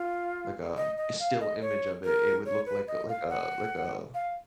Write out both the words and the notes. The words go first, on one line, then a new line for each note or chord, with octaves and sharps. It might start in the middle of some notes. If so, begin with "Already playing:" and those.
like, um, still image of it, it would look like a like a like a
Already playing: F4
D#5
D#5
F5
D#5
C#5
A#4
C#5
B4
D#5
F5
F#5
F5